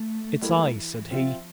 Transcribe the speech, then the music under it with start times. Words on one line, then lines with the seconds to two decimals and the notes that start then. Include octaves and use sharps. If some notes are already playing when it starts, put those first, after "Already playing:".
"It's I," said he.
Already playing: A3
0.42 G3 A#3 E4 A4
0.76 E3
1.10 F3 C4 F4 C5 E5